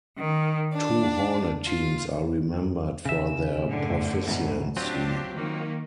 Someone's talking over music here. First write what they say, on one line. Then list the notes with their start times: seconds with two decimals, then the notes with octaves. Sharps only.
Two Hornet teams are remembered for their proficiency.
0.18 D#3
0.73 D4
1.64 F4
3.05 E2 C#3 E5
3.64 F#2 A2 D3
4.28 E2 G#2 B2
4.77 F#3 C4 D4 F4 G4
5.35 D#3 A#3